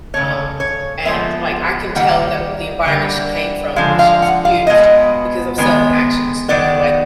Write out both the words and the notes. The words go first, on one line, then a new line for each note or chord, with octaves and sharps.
um, and, like, I can tell that the environment she came from, that she was abused because of certain actions, you know? Like
C#3 F#3 A3 C#5
C#5
A#2 F3 G#3 B3 E5
D#3 G3 A#3 F#5
D3 G3 A#3
D3 F3 G#3 F5
F5
F#5
F5
B2 G#3 B3 D#5
D#3 G#3 B3
D#3 F#3 B3 D5